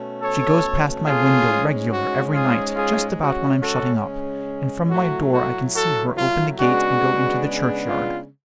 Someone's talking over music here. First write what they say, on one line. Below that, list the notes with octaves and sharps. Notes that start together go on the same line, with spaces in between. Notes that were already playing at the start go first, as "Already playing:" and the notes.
She goes past my window regular every night, just about when I'm shutting up, and from my door I can see her open the gate and go into the churchyard.
Already playing: B2 A3 C#4
A4 C#5
F4 G#4
G#2 G#3 C#4
F#4
F4 G#4
F4 G#4
C#3 G#3 C#4 F#4
F#4 A4
A2 F#3 A3 F#4
F#4
F#4 A4
F4
C#3 G#3 B3 D4 F#4
F4